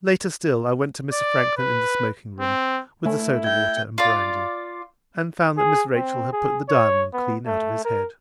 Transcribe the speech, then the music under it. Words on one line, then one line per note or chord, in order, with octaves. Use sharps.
Later still, I went to Mr. Franklin in the smoking-room, with the soda-water and brandy, and found that Miss Rachel had put the Diamond clean out of his head.
D5
B4
C4
A3 E4
E5 G5 G#6
F4 D5
G#4
C4
G#4
C#5
B3
A3
A#4